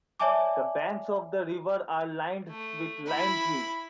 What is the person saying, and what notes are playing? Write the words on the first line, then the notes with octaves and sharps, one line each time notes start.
The banks of the river are lined with lime trees.
C#5 D5 E5 G#5 A5 D6
A3
E4 B5